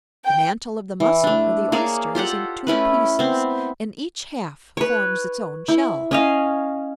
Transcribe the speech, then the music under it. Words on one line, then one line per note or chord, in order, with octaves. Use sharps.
The mantle of the Mussel or the Oyster is in two pieces; and each half forms its own shell.
G5
E3
A3 D4
A#3 G#4 C#5 D5
F4 G4 A4 F#5
A3 C#4 E4 B4
B3 C4
B4 C#5
E4
C#4 D#5 F5